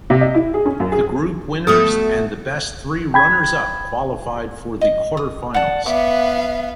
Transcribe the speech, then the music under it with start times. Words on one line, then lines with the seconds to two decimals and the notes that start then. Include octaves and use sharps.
The group winners and the best three runners-up qualified for the quarterfinals.
0.10 C3
0.21 D#5
0.35 E4
0.54 G#4
0.66 C#4
0.80 F#2
0.92 G#4
1.67 A3 B3 F#4 A4 D#6
3.14 G5 B5 G#6
4.81 D#5
5.17 D#6
5.54 D5 F#5 A5
5.86 B3 E5 F5 D6